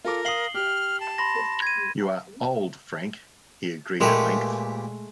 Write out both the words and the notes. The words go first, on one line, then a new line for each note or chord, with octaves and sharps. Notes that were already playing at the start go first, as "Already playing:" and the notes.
"You are old, Frank," he agreed at length.
F4 A4 A#4 D6
F5 D#6 C7 F#7 G7
G4 F6
A5
B5 C6 A#6
G#6 D#7
A#2 G#3 A3 G4 B4